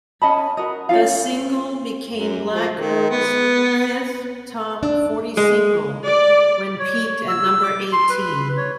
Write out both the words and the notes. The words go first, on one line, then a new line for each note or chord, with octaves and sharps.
The single became BlackGirl's fifth Top forty single, when peaked at number eighteen.
C#4 D#5 A5 B5
F#4 A#4 D#5
C#4 D4 F4 F5
F#2
F3
D#3
B3
D4
G#3
D5
C#5
C#5
E6
D6
C6
B4
C#5